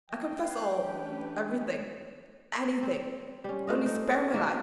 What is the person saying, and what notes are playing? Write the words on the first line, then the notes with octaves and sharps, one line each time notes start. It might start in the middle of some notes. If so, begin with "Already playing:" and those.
"I confess all--everything--anything! only spare my life!"
F3 D#5 G5
B4 F5
E3 A3 C#4 D4 G4 B4
C4
G3 C#4
G#3 A3 F4 D#5
D#4
D#3 A#3 F#4 E5